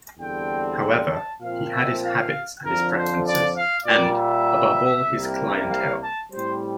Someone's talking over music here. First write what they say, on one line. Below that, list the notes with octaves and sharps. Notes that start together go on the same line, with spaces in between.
However, he had his habits and his preferences, and, above all his 'clientele'.
E2 D3 G3 C4 G5
A5
A#2 F3 C4 F5
E5
F5
F2 D3 F3 A#4
C5
D5
F5
A#2 G3 A#3 D5
E5
C2 C3 G3 A#3
F5
A5
A2 G3 C4 C5